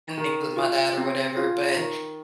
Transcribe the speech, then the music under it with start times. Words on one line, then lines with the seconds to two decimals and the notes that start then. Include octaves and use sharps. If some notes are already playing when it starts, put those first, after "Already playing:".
with my dad or whatever. But,
0.18 D#3
0.57 F4
0.97 C4
1.37 F4
1.76 D#3